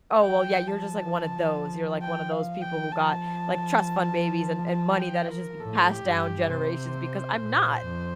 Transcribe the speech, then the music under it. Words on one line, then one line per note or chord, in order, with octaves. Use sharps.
"Oh well, yeah, you're just like one of those, you're, like, one of those people who got, like trust fund babies and and money that has just been passed down generations.", because I'm not.
F3 G5
A5
G5
F5
G5
F3 A5
A5
G5
A#4
A2 A4
G4
G2
G4
C3 C5
A#2
F2